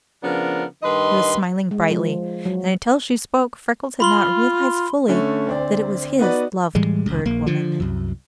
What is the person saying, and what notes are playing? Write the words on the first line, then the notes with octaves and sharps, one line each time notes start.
She was smiling brightly; and until she spoke, Freckles had not realized fully that it was his loved Bird Woman.
C#3 F3 B3 D4 A#4
G2 D#3 B4 D#5 C6
G#3
F3
F#3
F4 B5 C6 G7
D3 A3 C#4
D2 C4 D5
B3 D#4 F#4 B4 D5
A2 E3 G3 G#3
F#1 C#2
A#1 A#3
D3 F3
C2 F#2